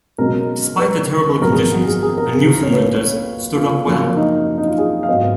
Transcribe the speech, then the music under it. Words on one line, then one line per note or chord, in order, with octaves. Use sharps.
Despite the terrible conditions, the Newfoundlanders stood up well.
B1 B2 G#3 C#4 A#4
B4
G#1 F#2 F3 G#3 B3 A#4
G#4
F#4
G#4
G#4
A#4
G#4
G#4
A#4
C#2 B2 A#3 C#4 C#5
B4
C#5
F4
F#1 F#2 F3 A#3 C#4 F4
D#4
D#4
F4
G#4
F5
G#2 F#3 B3 D#5